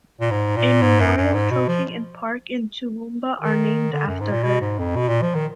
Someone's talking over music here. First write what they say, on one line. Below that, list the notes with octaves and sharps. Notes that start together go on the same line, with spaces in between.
A memorial trophy and park in Toowoomba are named after her.
A#2
G#2
A#2
G#2
F#2
F#2
G#2
B2
F3
D#3
D3
F#2
G#2
A#2
B2
G#2
F2
B2
A#2
F3
D#3